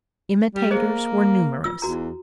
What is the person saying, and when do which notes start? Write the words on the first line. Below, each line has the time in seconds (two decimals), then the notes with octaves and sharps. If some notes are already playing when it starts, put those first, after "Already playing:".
Imitators were numerous.
0.55 G3
0.71 A#3 G#4 C5 D#5
1.64 F4 E6
1.82 E2 F#4 A#5